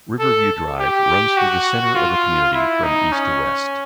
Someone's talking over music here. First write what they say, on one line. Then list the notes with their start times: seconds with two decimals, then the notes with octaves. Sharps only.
Riverview Drive runs through the center of the community from east to west.
0.19 A4
0.79 G4
1.37 F#4
1.95 F4
2.54 E4
2.83 D#4
3.12 C#4